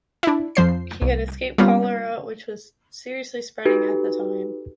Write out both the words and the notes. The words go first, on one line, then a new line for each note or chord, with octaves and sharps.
He had escaped cholera which was seriously spreading at the time.
D4 E4
F2 F3 C5 C7
C2
G3 A#3 B3 C#4 F4
D#4 F#4 G4 A4 B4